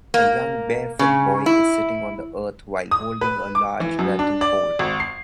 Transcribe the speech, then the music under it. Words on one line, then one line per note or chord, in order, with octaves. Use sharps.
A young barefoot boy is sitting on the earth while holding a large rattan pole.
A#3
C#3
E4
D#6
B4
D6
E3
F#2
D4
D5
G#1
C7